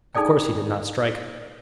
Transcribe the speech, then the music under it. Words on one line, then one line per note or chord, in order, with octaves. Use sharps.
Of course he did not strike.
D4 D#4 G#4 A4 D5 G5